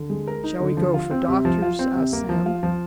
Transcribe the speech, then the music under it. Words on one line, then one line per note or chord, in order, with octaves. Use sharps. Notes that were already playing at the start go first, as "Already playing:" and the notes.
"Shall we go for doctors?" asked Sam.
Already playing: D3
G#3
A#4
D#4
D3
F3
F4
C4
C3
F3
F4
C4
C3
A#3
F3
F4
F3